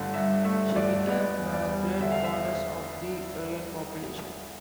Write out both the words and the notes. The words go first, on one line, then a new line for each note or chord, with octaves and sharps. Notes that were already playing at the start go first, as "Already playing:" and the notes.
She became a great goddess of the Hurrian population.
Already playing: G1 D3 A3
G2 E5
A3 E5
G1 D5
B3 D5
E2
D5
G3
D3 E5
F5
E5